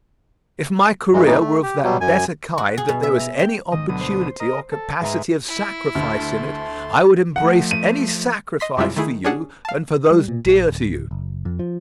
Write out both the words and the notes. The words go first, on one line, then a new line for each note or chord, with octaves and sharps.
If my career were of that better kind that there was any opportunity or capacity of sacrifice in it, I would embrace any sacrifice for you and for those dear to you.
G2 E3 G#3
A2 C3 E3 D#4
A3
G4
B2 F#3 G3
F#2 G#5
F#4
G#4
B2
E5
A#5
G5
E2 G#2 D#3 D#5
D2 B2 F#3 D#6
C5
A#4 D#5
A4
G#2 B4 E5 A#5
E4
D2 A3 A5 C6 F6
F3 A3 F#5
D#7
D#5 C6 B6
F#2 C3 G3 G#3 E4 F4
D#3 A3 E4 G#4
C#4 D4 G#4 F#5 A5
F5 A5
G3
A#2
A#1
D1
F#1
F2
F3